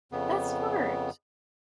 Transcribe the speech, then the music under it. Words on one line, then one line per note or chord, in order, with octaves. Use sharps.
That's smart.
F2 C#3 B3